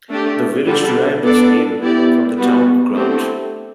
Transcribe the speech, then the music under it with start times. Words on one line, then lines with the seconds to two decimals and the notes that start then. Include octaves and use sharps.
The village derived its name from the Town of Grant.
0.09 A3 D4 G4
0.66 D3 G3 D4 A4
1.22 B3 D4 A4 D5
1.79 B3 E4 G4 D5
2.37 G3 B3 F#4
2.95 D3 A3 C4 E4 G4